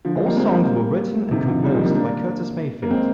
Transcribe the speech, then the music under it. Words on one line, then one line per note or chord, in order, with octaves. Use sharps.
All songs were written and composed by Curtis Mayfield.
D3 F3
F3 G#3
G3 A#3
G#3 C4
G3 A#3
C3 D#3
D3 F3
D#3 G3
F3 G#3
G3 A#3
A#3 D4
A#3
G#3 C4